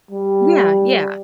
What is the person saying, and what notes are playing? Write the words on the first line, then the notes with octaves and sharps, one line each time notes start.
Yeah, yeah.
G3